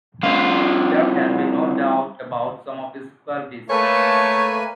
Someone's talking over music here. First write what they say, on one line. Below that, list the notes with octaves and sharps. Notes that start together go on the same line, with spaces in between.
There can be no doubt about some of his qualities.
C2 F4
A3 A#3 B4 C#5 G#5